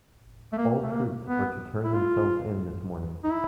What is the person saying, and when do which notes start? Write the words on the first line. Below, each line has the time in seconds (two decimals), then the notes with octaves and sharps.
All troops are to turn themselves in this morning.
0.53 A3
0.57 A#3
0.83 A3
0.92 A#3
1.26 B3
1.84 E4
1.95 F4
3.24 D#4
3.31 E4